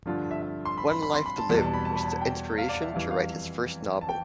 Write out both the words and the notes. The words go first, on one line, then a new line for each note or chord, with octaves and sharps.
"One Life to Live" was the inspiration to write his first novel.
G2 D3 F3 F4
E5
E5
C6
B5
B5
B5
C6
B5
A5
E2 B2 G3 A5
A5
B5
A5
B5
A5
G5
F5
D5
E5
F2 E3 G3 F5
F5
A5
G5